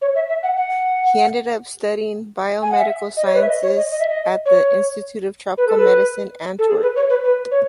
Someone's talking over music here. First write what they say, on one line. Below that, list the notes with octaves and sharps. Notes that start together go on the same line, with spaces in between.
He ended up studying biomedical sciences at the Institute of Tropical Medicine Antwerp.
C#5
E5
E5
F#5
F#5
G#5
F#5
E5
D#5
C#5
B4
E5
D#5
C#5
D#5
D#5
E5
D#5
C#5
B4
A4
B4
A4
G#4
B4
C#5
B4
B4
C#5